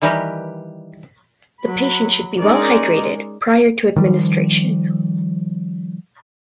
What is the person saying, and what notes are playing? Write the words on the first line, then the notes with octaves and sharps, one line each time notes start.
The patient should be well-hydrated prior to administration.
D#3 E3 G3 G4 A#4 B4
F#3 B5
G#3 C#4 D#4 A#4 D5
D#3 F3 G3